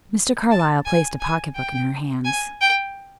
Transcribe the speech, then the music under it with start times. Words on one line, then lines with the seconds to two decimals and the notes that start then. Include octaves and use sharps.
Mr. Carlyle placed a pocket-book in her hands.
0.51 A5
0.85 G#5
1.20 G#5
1.55 G5
2.25 G#5
2.61 G5